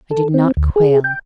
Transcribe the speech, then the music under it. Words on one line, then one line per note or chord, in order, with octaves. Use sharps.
I did not quail.
A4
C4
D2
G#4
G5